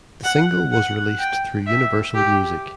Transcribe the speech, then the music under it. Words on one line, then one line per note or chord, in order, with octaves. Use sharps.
The single was released through Universal Music.
F#5
F#5
G5
E5
G4